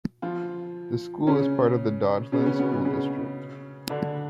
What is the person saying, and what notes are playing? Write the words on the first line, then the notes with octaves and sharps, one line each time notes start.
The school is part of the Dodgeland School District.
F3 F4
C#3 C#4
C#3 C#4
B3
C#3 C#4
B2 B3
B2 B3
C#3 C#4
D3 D4